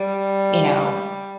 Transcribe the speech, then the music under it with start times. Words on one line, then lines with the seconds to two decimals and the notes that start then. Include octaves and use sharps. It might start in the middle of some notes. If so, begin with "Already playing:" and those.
you know,
Already playing: G3